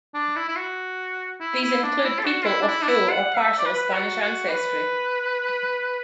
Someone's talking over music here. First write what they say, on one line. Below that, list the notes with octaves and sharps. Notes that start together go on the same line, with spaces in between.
These include people of full or partial Spanish ancestry.
D4
E4
E4
F#4
E4
E4
D4
E4
A4
F#4
E4
D4
E4
D4
E4
F#5
E5
D5
B4
F#4
F#4
B4